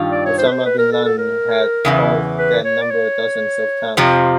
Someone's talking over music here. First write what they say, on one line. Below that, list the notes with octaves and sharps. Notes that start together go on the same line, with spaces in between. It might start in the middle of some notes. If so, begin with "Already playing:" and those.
Osama bin Laden had called that number dozens of times.
Already playing: G2 D#3 F4
D5
C#5
C5
B4
C5
B4
A#4
A4
A4
A#4
E2 C#3 E3
B4
C#5
D5
C#5
F2 C3 F3